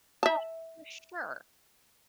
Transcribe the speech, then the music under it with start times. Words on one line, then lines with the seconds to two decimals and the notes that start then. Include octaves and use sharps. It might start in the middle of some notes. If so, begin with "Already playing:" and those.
Oh, for sure.
0.23 E5 A5